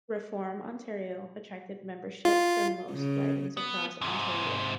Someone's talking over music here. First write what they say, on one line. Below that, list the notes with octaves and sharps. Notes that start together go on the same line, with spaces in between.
Reform Ontario attracted membership from most ridings across Ontario.
F4
C#3
B3
G#2 C3